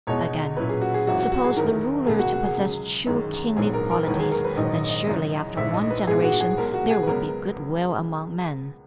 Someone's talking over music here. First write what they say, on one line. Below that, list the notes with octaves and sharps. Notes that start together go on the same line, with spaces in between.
Again, "Suppose the ruler to possess true kingly qualities, then surely after one generation there would be good-will among men."
E2 B2 G#3 D#4 C#5
A#2 F#3 C#4 E4 B4
G#4
F#4
G#4
G#1 F#2 E3 F#4
F#4
F#4
G#4
F#1 E2 D#3 A#4
C#2 B2 A#3 G#4
F#4
F#4
G#4
C#2 C#3 F#3
F#2 D#3 G#3 C#4
A#1 G#2 F#3 B3 G#4
A#4
A#4
E1 D#2 D#3 F#3 A#3 B4
G#4
A#4
B4
A#1 G#2 D#3 F#3 D#5
D#5
D#5
F#2 C#3 E3 G#3 D#4
A#1 G#2 E3 E5
D#5
B4
A#1 G#2 E3 G#3 B3 G#4
F#4
G#4
B1 B2 G#3 A#4
F#4
G#4
B4
C#2 C#3 F#3 B3 A#4